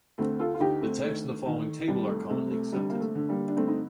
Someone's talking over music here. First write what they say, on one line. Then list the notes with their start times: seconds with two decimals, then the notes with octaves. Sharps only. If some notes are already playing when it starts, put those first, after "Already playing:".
The types in the following table are commonly accepted.
0.18 D2 A3 C4
0.39 F4 A4
0.54 F4
0.60 D2 D#4 G4
0.81 A3 C4
1.03 D#3 A3
1.46 D#3
1.88 C2 G3
2.08 A3
2.30 C3 A3
2.51 A3
2.72 D3 G3
2.90 A#3
3.00 A3
3.15 D3
3.29 G3 A#3
3.48 D4
3.57 G2 A3 C4
3.68 D#4